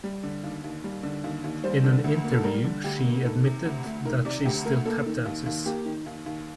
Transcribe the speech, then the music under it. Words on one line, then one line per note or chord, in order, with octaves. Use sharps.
In an interview, she admitted that she still tap dances.
G3
D3
D#2
D#2
G3
D3
D#2
D#2
G3 C5
D3
D2
A#3
A4
G3 A#4
D3
D2 G4
A#3
D#3 A4
C3
D2
A3
D#3 A#4
C3 D5
D2 G4
A3 A#4
A#3 A4
D#3
D#2
D#2
A#3 G4
D#3
D#2
D#2